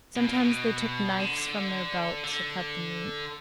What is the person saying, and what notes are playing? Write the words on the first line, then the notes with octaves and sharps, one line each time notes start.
Sometimes they took knives from their belts to cut the meat.
B2
A#2
B2
D3
D3